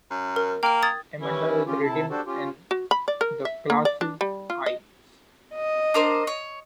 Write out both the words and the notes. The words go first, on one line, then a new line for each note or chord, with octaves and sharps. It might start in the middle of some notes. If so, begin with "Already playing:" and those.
Amanda is redeemed in the class's eyes.
F#2
A#4
A#3 G5 F6
D#6 G#6 A6
E3 G3 C#4 E4
C#3 C#4 F4 G4
C3 E4 A5
D4 F#4 G4 A4 C5
C#4 F4 G4
F#4
B5
D5
A#4
E5
A#3
D5
D4
G3
F4
D#5
D#5
D4 A#4 C5
C#5